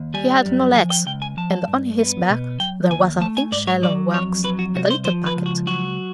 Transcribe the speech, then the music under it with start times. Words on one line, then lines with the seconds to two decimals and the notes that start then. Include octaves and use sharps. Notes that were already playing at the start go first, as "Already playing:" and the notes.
He had no legs; and on his back there was a thin shell of wax and a little packet.
Already playing: D#2
0.14 G3 G#5
0.46 F#2
0.76 F3 G#5
0.90 G5
1.06 C#2 G5
1.22 G#5
1.37 F3 A5
1.68 G2
1.99 B3
2.30 B2
2.60 F#3 G5
2.91 D#2 G#5
3.21 A3 A5
3.37 G#5
3.52 G#2 D5
3.67 C#5
3.83 F#3 D5
4.13 F2 C#5
4.44 F#3 B4
4.59 F#4
4.75 C2 F#4
4.91 C5
5.05 F3 C5
5.26 B4
5.36 C#2
5.46 F#4
5.67 F#3 F#4